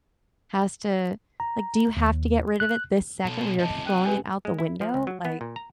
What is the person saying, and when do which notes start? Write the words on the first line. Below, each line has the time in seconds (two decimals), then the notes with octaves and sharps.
has to like, "Do you have to get rid of it this second where you're throwing it out the window?" Like,
1.40 A#5
1.97 D#2
2.60 F#6
3.25 B2 A4
3.59 C3 A3 D#5 A5
3.86 G5 F#6 D#7
4.05 G4 B4 G#5
4.45 G#3
4.59 E4
4.81 F3
4.94 C#2
5.07 F#3
5.25 B3
5.41 A#2
5.56 A#5